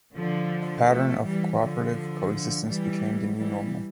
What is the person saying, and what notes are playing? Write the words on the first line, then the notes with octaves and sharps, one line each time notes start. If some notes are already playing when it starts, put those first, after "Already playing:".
A pattern of cooperative coexistence became the new normal.
D3 F3
F3 A3
E3 G3
D3 F3
E3 G3
E3 G3